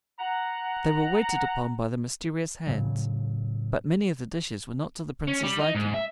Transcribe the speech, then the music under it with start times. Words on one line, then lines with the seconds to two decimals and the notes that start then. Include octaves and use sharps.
They were waited upon by the mysterious hands, but many of the dishes were not to the Prince's liking.
0.19 F#5 A#5
2.67 A2 C#3 F#3
5.27 C#4
5.43 G3
5.60 D#4
5.75 G#2
5.94 E5